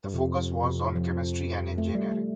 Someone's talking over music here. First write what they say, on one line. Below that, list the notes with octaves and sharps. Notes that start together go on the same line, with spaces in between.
The focus was on chemistry and engineering.
G2
F2 C3
C3
F3
A3
G3
A3